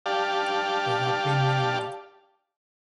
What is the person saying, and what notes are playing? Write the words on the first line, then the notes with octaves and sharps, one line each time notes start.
There have been many more.
G4 D5 F5 A5